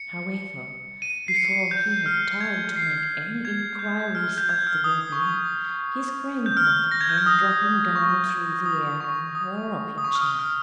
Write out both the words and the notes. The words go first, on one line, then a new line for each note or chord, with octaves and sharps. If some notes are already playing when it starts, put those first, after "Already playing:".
However, before he had time to make any inquiries of the Goblin, his grandmother came dropping down through the air in her rocking-chair.
Already playing: C#7
D#7
C7
C#7
G6
F6
G#6
C7
G#6
G6
F6
G6
G#6
F6
D#6
D#6
C#6
D#6
G6
F6
A#6
G#6
G6
F6
D#6
C#6
D#6
C#6
D#6
D#6
C#6
F6
D#6
F6